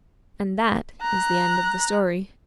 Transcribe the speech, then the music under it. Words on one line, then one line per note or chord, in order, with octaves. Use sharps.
And that is the end of the story.
A#5 F#6